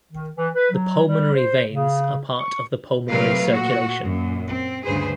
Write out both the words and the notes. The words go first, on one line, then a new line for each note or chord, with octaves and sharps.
The pulmonary veins are part of the pulmonary circulation.
D#3
E3
B4
F#3
G3
C5
C#3
C#6
C3 F#3 A3 A#4 B4 F5
A#2 F#4
F#2 A#2
C4
D2 G2 C#3 G#4 B4 C5